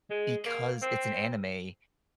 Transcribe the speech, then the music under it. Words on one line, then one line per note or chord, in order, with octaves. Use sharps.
because it's an anime,
G#3
A#3
C4